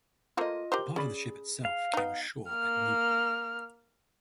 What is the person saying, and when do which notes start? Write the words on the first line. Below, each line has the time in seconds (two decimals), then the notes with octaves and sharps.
A part of the ship itself came ashore at Nieuport.
0.37 A3 A#3 F4 C5 D#5
0.72 G4 A#4 C5
0.96 C#4 G#4 D5 B5
1.65 F5
1.93 B3 D#4
2.49 A#3 F6